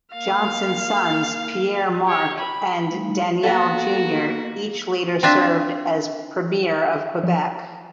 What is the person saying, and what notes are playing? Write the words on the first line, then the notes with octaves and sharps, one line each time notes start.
Johnson's sons, Pierre-Marc and Daniel Junior each later served as Premier of Quebec.
A#3 F5
G4 C#5
B5
G3 A3 D#4
A#3 B3 F#4 A4 F5 F#5 B6
C4 D4 F4 E5
F3